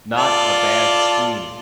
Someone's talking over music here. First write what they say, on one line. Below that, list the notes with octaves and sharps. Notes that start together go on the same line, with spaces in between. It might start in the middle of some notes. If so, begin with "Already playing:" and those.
Not a bad scheme.
F4 A4 D5